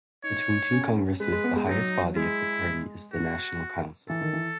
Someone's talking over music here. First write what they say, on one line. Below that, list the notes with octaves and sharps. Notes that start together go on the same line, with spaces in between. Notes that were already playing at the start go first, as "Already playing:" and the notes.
Between two congresses the highest body of the party is the National Council.
D#4 C#5
C#4
G#3 B4
G#3
B3
G#3
F#3 D#4
G#3 E4
F#4
E3 A4
D#3
E3